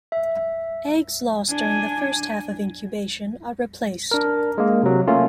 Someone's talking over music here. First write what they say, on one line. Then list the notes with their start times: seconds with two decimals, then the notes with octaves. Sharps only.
Eggs lost during the first half of incubation are replaced.
0.12 E5
1.50 D4 G#5
4.11 D4 A#4
4.58 G#3 A#3
4.83 C3 F#3
5.08 A3 A#3 C#4 F4